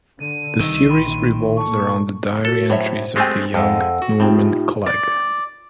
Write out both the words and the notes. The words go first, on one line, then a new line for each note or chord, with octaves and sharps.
The series revolves around the diary entries of the young Norman Clegg.
D3 D#7
C2 D#3 D#5 E6
A#1 G5 B5 C6
A#2 A4 A5 C#6
F#4 A4 A#4
A2 F#3 C5 C#5 E5
G#3 A3 C4 G4 G#5
F2 F3 G#3 A4 E5 F#5 E6
F#4
A2 C4 D#4 F4 G4
D5